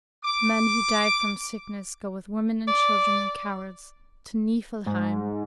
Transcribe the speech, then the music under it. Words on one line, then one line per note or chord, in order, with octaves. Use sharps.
Men who die from sickness go with women and children and cowards to Niflheim.
D6
D5
G#2